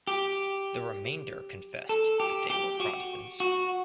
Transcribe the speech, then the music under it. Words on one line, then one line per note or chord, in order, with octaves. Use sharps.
The remainder confessed that they were Protestants.
G4
A4
G4
G4
F#4
F#4